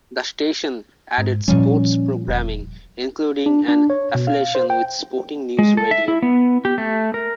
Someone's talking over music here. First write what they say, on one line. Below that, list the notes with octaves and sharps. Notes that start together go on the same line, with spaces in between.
The station added sports programming, including an affiliation with Sporting News Radio.
G#2
A#2 F3 G3 C#4
E1
D4
D4
C#5
B2
F5
C5
G5
G#3
A4
E5
E4
B3
G4
A3
A#4